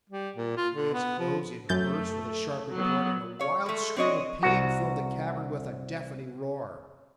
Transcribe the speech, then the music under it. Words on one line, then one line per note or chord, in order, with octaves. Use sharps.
As it rose it burst with a sharp report, and a wild scream of pain filled the cavern with a deafening roar.
G3
A#2
F4
D3
B3
F3
F#2 A3 G6 A6
F#3 B3
C#5 F5
G#3 A3
C4 D4 C#5 D#5
C2 F#4